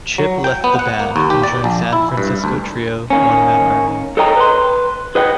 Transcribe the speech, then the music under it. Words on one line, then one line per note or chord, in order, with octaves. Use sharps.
Chip left the band and joined San Francisco trio One Man Army.
F#3
G5
B3
F#5
A#3
D#2
G4
D5
A#1
E4
G2
D2
D#3 A#3 C#4
A4 A#4 C#5 D#5 G5 A#5
B4 C6
G#4 B4 D#5 F#5 G5